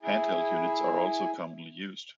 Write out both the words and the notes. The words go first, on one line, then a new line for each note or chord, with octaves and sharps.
Hand-held units are also commonly used.
E4 G#4